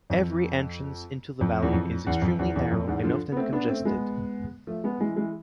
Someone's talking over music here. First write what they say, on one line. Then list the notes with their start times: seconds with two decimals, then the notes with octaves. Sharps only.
Every entrance into the valley is extremely narrow and often congested.
0.10 F2
1.41 F2
1.63 E2
1.73 F2
2.07 E2
2.22 F2
2.39 E2
2.56 E2
2.71 F2
2.87 E2 G#2
3.04 D3 F3
3.32 B3
3.37 A3 C4
3.53 B3 D4
3.69 A3 C4
3.85 G#3 B3
4.67 F3 A3
4.84 G#3 B3
5.00 E3 G#3
5.16 E3 G#3